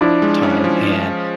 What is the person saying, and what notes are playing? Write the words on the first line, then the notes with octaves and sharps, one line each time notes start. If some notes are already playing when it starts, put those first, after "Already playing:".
time, and
F3 D4 E4
G#3
C#4
F3